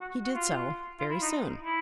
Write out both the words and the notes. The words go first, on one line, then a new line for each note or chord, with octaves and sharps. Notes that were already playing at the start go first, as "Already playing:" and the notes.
He did so, very soon.
F#4
F#4
F4
F4
E4
D#4
E4